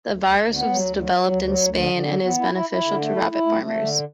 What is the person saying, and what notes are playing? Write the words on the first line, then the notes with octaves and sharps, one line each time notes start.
The virus was developed in Spain, and is beneficial to rabbit farmers.
D2
D2
D2
B3
F#3
D2
F#3
F#3
D2
F#3
D2
D3
D3
F#3
B3
E4
E4
E4
D3
A3
E4
E4
A3
A3
D3